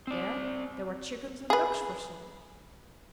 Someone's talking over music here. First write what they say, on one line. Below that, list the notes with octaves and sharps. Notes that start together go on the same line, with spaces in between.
There, there were chickens and ducks for sale.
C4 D5
G#4 B4